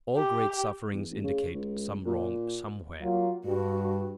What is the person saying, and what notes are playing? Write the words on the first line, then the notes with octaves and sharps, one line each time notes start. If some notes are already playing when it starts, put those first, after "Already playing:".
All great sufferings indicate some wrong somewhere.
G4
E2
A1
C#3
C#2
A#2
F#3 A#3 F4
G2 F#4